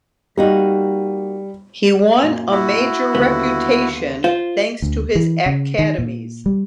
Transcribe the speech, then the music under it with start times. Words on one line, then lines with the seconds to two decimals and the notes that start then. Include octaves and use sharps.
He won a major reputation thanks to his academies.
0.37 G3 A#3 D#4 F#4
2.22 F#2 A#2
2.51 E4 F#4
3.15 D#2 D3 G3 B3
4.24 F4 C5
4.82 D2
5.15 E3
5.46 C#3
5.79 D#3
5.98 A#2
6.46 G3